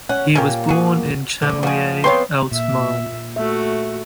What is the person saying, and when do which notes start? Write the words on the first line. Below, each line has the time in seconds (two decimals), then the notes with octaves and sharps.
He was born in Chamouilley, Haute Marne.
0.09 C#4 F#5
0.35 A#2 A#3 C#4 G4
0.69 F#4 G#4
1.42 D2 D3
1.63 F3 F#4 G#4
2.04 B3 C4 C#5 F5 G5 C6
2.52 A#2 E5
3.36 A3 F#4 E5